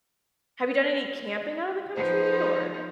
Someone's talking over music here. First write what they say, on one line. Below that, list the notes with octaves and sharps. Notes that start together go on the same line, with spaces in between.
have you done any camping out of the country or
F3 B3 D#4 C5